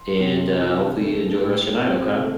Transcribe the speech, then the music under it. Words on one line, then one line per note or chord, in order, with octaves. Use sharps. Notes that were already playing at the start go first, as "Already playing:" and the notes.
and, uh, hopefully you enjoy the rest of your night, okay?
Already playing: C6
C3
E3 E6
A3
A2
C4
A3